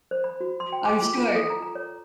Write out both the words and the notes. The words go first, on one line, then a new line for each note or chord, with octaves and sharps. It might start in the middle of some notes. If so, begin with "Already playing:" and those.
I'm sure.
C5
B5
F#4
C6
G5
D6
F4
F4
A4
A#5
A#5
C#5